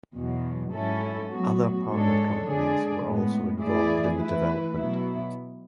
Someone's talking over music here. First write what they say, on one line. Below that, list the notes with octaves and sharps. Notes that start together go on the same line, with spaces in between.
Other partner companies were also involved in the development.
E2 B2 F#3
G#2 F#3 C#4 E4 A4
A2 F#3 B3 F#4
G#2 G#3 D4 A4 C#5
D3 G#3 D4 G#4 D5
A2 G#3 B3
E3 A3 E4 G#4 D5
E3 A3 E4 B4
B2 F#3 B3 E4